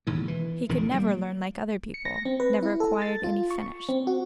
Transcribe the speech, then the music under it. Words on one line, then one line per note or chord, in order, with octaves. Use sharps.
He could never learn like other people, never acquired any finish.
E1 D#2 A2
E3
A#1 E2 D#3
G3 A#3
C#7
A#6
C4
B4
E4
A4
A6
F4
C#6
C4
F#4